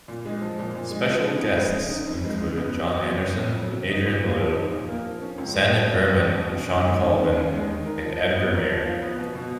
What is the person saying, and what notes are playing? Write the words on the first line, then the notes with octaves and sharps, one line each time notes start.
Special guests include Jon Anderson, Adrian Belew, Sandip Burman, Shawn Colvin and Edgar Meyer.
A#2
G#3
F3
A#2
A#2
G#3
F3
D#4
F2
G#3
C#3
D#4
F2
G#3
C#3
B3
F2
F#3
C#3
B3
F2
F#3
C#3
D#4
A#2
A#3
F3
D#4
A#2
A#3
F3
C#4
C#2
G#3
B2
C#4
C#2
G#3
B2
C#4
D#2
G#3
D#3
C#4
D#2
G#3
D#3
A#4
F3
F4
B3
A#4
F3
F4
B3
B2
B2